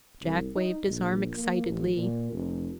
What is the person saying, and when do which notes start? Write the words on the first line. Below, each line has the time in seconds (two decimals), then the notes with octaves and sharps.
Jack waved his arm excitedly.
0.21 C2
0.56 D#4
0.88 A#1
1.35 A#3
1.67 A1
1.95 A#2
2.32 F1